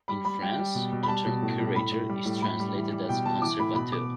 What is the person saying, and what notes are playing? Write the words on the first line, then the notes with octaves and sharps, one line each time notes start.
In France, the term curator is translated as "conservateur".
G3 B5
G3 B5
G3 G5
G3
B2
B2
B5
G3 A5
B2
A2
G3
A2 B5
A2
G3
A2
A2 B5
G3
E3
G3
B2 G5
B2 A5
E3 D6
A2 B5
B2 B5
B2 D6